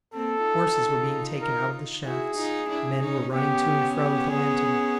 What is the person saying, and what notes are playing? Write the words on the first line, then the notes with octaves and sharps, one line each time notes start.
Horses were being taken out of the shafts, men were running to and fro with a lantern.
A#3 C4 A4
D#4 F4
A#4
E4 F#4 G#4
D#4 F4
D4 E4
C#4 D#4
B3 C#4 G4
G4
G#4